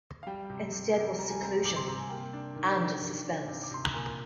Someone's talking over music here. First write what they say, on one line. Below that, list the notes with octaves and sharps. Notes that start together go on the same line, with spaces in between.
Instead was seclusion — and suspense.
F5
G3 G5
C3
C3
C3
G3 A#5
G#5
C4 A#5
C3 D6
C6
C3 A#5
G#5
A#3 G5
D4
D#3
D4
D#3
D4
C3
D6
C3 C6
A#5
A#2 G#5